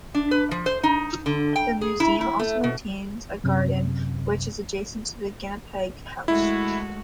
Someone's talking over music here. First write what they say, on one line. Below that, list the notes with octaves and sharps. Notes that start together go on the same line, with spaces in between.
The museum also maintains a garden, which is adjacent to the Guinep House.
D4
B4
F3
C5
D#4
D3
G5
G#4
E4
E4
A3
B2
F#2 C3
G#3 A3 E4 F#4